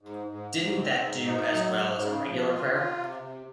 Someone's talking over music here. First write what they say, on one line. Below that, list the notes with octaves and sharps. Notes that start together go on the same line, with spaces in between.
Didn't that do as well as a regular prayer?
G#2
G#2
G#2
C4
G#2
D#4
F#3
G#2
C#3
F3
F4
F4
C3
C3